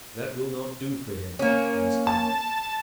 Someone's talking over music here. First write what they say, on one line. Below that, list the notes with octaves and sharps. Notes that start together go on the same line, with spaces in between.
"That will not do for him," answered the monk.
A#3 C#4
A5